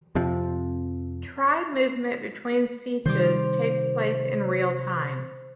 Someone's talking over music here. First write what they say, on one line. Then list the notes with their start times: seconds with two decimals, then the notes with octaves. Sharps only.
Tribe movement between sietches takes place in real-time.
0.15 F2 C3 F3
3.06 C3 D#3 G3 C5 D6